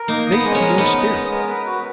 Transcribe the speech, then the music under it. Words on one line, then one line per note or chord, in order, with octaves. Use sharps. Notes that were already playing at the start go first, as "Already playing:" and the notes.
They have more spirit.
Already playing: A#4
A#3 D#4
D#5
B3
G#3
C#4
A#4
B3 D#4
D#5
G#3
A#4
B4
F#4